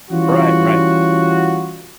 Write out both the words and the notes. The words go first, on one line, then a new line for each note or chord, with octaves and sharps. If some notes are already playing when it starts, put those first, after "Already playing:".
Right, right.
E3 G3 C#4 F4 F#4